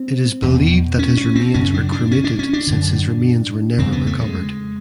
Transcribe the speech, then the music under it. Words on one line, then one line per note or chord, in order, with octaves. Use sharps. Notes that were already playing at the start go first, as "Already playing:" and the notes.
It is believed that his remains were cremated since his remains were never recovered.
Already playing: C4
E2 B2
C#4
C#4
C4
F#2 C#3 C#4
D4
D4
C#4
D4
C#4
D4
F#2 D3
F2 C#3 C4
B3
A3
G#3